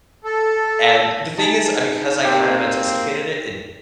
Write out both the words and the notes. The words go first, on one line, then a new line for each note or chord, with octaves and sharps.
And the thing is, I because I kind of anticipated it, it
A4
D#4 G#4 A5
A#3 C4 G4